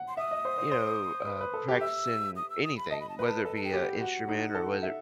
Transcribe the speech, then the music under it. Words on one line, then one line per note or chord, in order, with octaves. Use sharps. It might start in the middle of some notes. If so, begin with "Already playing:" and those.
you know, uh, practicing anything, whether it be a instrument or whether
Already playing: F#5
C6
E5 D#6
D#5
C5
C5
C5
B4
B4
A4
G4
E5 E6
D#6
E6
D#6
B5
D#5 A5
B5
A5
B4 B5
A5
A4 A5
A5
G5
G4
F#5
F#4 F#5
D#4
A4
E5